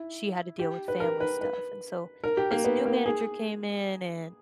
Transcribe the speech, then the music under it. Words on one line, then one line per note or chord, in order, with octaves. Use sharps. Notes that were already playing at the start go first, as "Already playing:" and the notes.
she had to deal with family stuff, and so this new manager came in, and
Already playing: E4
G4
B4
A#4
B4
B4
A#4
G4
A#3
B3
A#3
G#4